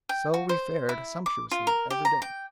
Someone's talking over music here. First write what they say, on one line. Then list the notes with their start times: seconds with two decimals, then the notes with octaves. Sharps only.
So we fared sumptuously every day.
0.09 G5
0.34 F#4
0.49 C5
0.89 E4
1.26 D6
1.51 F4
1.67 A#4
1.90 G4
2.05 A#5
2.22 G5